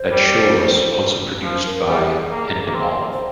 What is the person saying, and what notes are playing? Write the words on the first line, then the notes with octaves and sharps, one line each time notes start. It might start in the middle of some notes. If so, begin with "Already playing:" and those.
That show was also produced by Endemol.
Already playing: C5
G3
F3
A#4
G3 G#4
G4
G#4
A#3
A#3
C4
C5